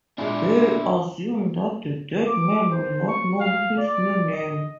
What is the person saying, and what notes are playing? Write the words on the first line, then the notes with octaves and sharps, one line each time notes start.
They assume that the dead man will not know his new name.
A#2 G#3 D4 E4
D6
C5
C#6
F5
D5
D#5